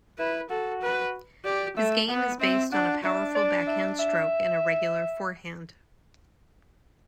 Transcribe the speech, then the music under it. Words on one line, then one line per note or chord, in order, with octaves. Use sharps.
His game is based on a powerful backhand stroke and a regular forehand.
E4 B4
F#4 A4
B4
G4 D5
A3 E5
B3 F#5
C4 E5
D4 F#5
D4 E5
D5
E5
E5